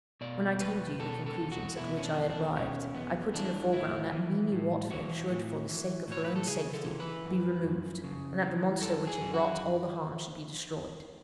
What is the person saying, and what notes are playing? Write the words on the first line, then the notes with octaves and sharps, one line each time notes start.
"When I told you the conclusions at which I had arrived, I put in the foreground that Mimi Watford should, for the sake of her own safety, be removed--and that the monster which had wrought all the harm should be destroyed."
B2 D5
E2 B4
B2 A4
A4
E2
F#4
B2 E4
C#4
D4
E2
D4
B2 C#4
E2 B3
E3 D4
A2 E4
E3
A2
E3 F#4
A2
E3
A2 C#5
B4
A4
C#3 G#4
A4
E3
B4
F#2
F#2
C#3
E3
F#2 A4
G#4
F#2
F#4